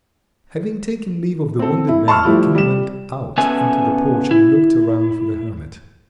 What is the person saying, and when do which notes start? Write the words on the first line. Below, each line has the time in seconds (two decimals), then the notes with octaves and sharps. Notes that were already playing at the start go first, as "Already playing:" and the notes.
Having taken leave of the wounded man, the King went out into the porch and looked around for the hermit.
1.59 C4 A4
1.88 E4
2.08 A5 C6 C#6 E6 F6
2.24 F3 G3 A3 E4
2.55 G3 E7
3.38 C#3 B3 A4 E5 G#5
4.31 E4